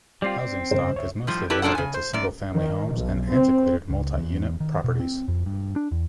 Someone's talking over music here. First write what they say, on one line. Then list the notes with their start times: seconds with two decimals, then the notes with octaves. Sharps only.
Housing stock is mostly limited to single family homes and antiquated multi-unit properties.
0.22 G3 C4 F4 D5 G5
0.39 C4
0.71 G2 C#3 C5
0.94 C#2 C#5 E5
1.27 A2 F3 G3
1.50 E4 G4 A4 B4 D5
1.62 E2 A#2 F#3 D4 A4 F#5
1.75 C#3 G#5
1.94 C5
2.13 F#2 D5
2.53 D#3
2.93 B1
3.30 C4
3.90 C#2
4.17 E2
4.60 D#3
4.84 B2
5.00 C4
5.28 F2
5.46 G2
5.76 D4
5.91 E2